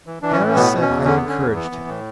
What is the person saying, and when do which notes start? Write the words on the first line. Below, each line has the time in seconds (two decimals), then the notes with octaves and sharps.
Harris said I encouraged him.
0.06 E3
0.22 E3 D4
0.32 C#4
0.40 A2
0.47 C#4
0.56 B2 B3
0.72 B2
0.82 C#4
0.89 E2
1.05 D3 C#4
1.17 B3
1.22 D3
1.28 C#4
1.39 E2
1.55 E3 B3
1.71 E3
1.88 A2